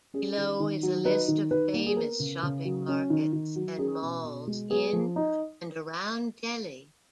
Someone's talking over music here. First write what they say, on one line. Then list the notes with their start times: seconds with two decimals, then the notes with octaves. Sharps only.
Below is a list of famous shopping markets and malls in and around Delhi.
0.14 C#4 G#4
0.37 D#3
0.60 D#3
0.83 F#3
1.05 D#4 B4
1.28 D#3
1.51 D#3 B4
1.74 A#3
1.86 G#4
1.96 B3 A#4
2.20 C#3
2.43 C#3
2.65 F#3
2.88 C#4
3.10 D#3
3.33 D#3
3.56 F#3
3.79 C#4 G#4
4.02 B2
4.24 B2
4.47 G#3
4.70 B3 G#4
4.93 F3
5.16 D#4